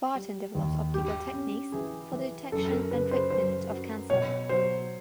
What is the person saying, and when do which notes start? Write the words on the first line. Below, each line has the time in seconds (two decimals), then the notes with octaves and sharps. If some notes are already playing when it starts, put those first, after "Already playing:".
Barton develops optical techniques for the detection and treatment of cancer.
0.15 G3
0.55 D#2
0.94 G2 G4
1.33 C#4
1.72 E3 G#4
2.12 E3
2.52 F#2 A4
2.72 A#4
2.91 C#3 B4
3.11 C5
3.30 F#2 C5
3.70 F#3
4.10 B2 C#5
4.49 F#3 C5